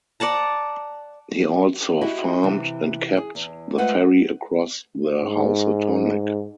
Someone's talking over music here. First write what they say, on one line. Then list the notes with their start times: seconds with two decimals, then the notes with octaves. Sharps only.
He also farmed, and kept the ferry across the Housatonic.
0.20 D5 F#5 A5 A#5
2.01 E4 F#4 G4 D#5
2.44 C3 E3
3.17 G#4
3.35 E2
3.78 G#3 A3 F4 B4 C5 F#5
5.22 G#2